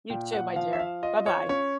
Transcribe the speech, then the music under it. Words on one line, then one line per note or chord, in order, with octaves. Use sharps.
You, too, my dear. Bye bye.
A#2 G5
F#5
F3 F5
E5
F5
F4 D#5
C#5
C#4 C#5